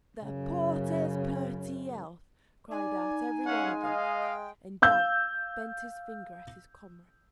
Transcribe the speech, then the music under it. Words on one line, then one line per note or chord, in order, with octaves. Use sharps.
"The porter's purty health!" cried out every one of them, and Jack bent his finger at his comrades.
F#2 C#3
D#4 D5 G#5
G#3 C#4 F5 F#5
D#5 F5
G5
F5 E6 G6